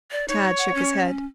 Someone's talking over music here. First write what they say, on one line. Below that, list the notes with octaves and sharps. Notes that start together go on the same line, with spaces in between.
Tad shook his head.
D5
D#4 C#5
F#5
C#4